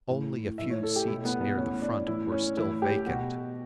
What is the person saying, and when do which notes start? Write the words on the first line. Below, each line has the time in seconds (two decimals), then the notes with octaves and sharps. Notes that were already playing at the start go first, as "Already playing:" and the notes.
Only a few seats near the front were still vacant.
0.09 A2 E3
0.58 A2 E3 E5
0.70 C#5
0.83 A4
0.96 G4
1.07 B2 E4
1.25 B3
1.41 B3
1.58 A2 C#4
1.62 E3
1.82 D4
2.07 A2 E3 E4
2.32 C#4
2.57 A2 E3 E4
2.82 G4
3.06 B2 F#4